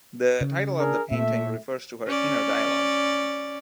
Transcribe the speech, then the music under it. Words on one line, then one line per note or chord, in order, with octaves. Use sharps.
The title of the painting refers to her inner dialogue.
C#3
D4 G#4 A#4
A#2 A3 E5
C#4 D5